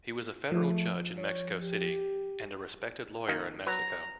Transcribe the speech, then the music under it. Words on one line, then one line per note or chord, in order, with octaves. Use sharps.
He was a federal judge in Mexico City, and a respected lawyer in Mexico.
F3 A3
C#5
G4
D#3 A#3 D#4
F#3 B4 A#5